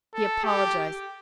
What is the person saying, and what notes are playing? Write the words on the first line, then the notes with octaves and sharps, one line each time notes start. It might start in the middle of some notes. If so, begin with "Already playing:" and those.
He apologized.
A4
G4